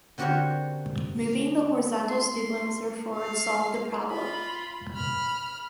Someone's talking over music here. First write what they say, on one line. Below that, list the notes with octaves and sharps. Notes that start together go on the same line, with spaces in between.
Moving the horizontal stabilizer forward solved the problem.
D3 C4 F#4 G4 A#4 C#5
C6
F5 C7
F4 B5
B5 F6